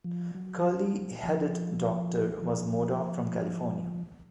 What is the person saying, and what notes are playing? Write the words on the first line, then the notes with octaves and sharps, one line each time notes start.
Curley Headed Doctor was Modoc from California.
F3
F#3
F3
F3